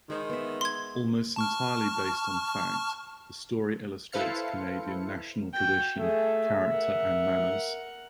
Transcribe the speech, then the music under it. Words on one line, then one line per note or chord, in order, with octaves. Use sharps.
Almost entirely based on fact, the story illustrates Canadian national tradition, character and manners.
D#3 G#3 C5
B3 E5
C6 G#6
A5 C#6 F6
E4 A4 B4 C5 F5 C#7
F#4 G5
A3 G#4 E5
A#4 F#5